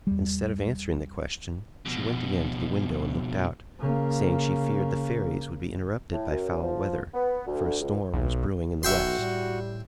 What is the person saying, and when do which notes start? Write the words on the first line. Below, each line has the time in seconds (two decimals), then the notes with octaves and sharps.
Instead of answering the question, she went again to the window and looked out, saying she feared the fairies would be interrupted by foul weather, for a storm was brewing in the west.
0.07 E2 G3
1.86 F2 B2
3.79 C#3 A#3
6.13 A2
6.31 F#2
6.63 F3
7.14 B3
7.47 D2
7.81 C#2
8.14 B1
8.83 D#1 B1 F#4 E5 G5 C6
9.18 A2 G3